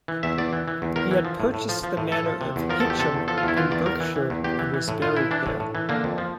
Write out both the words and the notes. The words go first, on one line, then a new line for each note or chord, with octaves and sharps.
He had purchased the manor of Hitcham in Berkshire and was buried there.
E3
E2 E5
E2 D5
E3
E3
E2
E2 A#4
E3
F3
A2
A2
F3
F3
A2
A2 A4
F3
C3
E2
F3 A#4
E2 A4
G4
C3 A4
E2
F3 A4
F4
E2 E4
E3 F4
E2 D5
E2 A#4
E3
E3
E2
E2 G4
E3
E3
A2
A2 F4
E3 E4
E3 D4
A2
A2
E3
D3 A#3
F2
F3